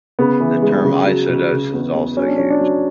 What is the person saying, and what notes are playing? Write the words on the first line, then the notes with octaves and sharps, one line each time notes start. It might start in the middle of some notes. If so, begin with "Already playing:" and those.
The term eisodos is also used.
C#3 B3
E3
G#3
C#3
F#3
C#2
C#3
E2
E2
F#3 C#4
D4
F#3 C#4
D4
F#3